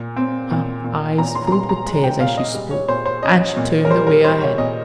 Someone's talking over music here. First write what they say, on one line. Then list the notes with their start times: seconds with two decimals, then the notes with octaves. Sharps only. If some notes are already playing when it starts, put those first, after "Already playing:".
Her eyes filled with tears as she spoke, and she turned away her head.
Already playing: A#2
0.16 C4
0.51 A#2
0.84 A#2
1.18 A#2 A#5
1.35 C6
1.47 A#5
1.52 A#2 C6
1.69 A#5
1.86 G#3
2.04 G5
2.20 A#2 F5
2.37 D#5
2.54 G3
2.71 C#5
2.88 A#2 C5
3.06 C5
3.22 C#4 D#5
3.57 A#2
3.85 A#4
3.90 G3 C5
4.07 A#4
4.24 G3 C5
4.41 C#5
4.58 A#2 D#5